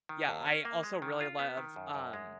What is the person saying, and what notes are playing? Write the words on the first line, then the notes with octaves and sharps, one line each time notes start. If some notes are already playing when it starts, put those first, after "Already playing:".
Yeah, I also really love, um,
D#3
D#2
C#4
A#3
G#3
D#3
F4
B3
D#3
F#2
F#2
G#3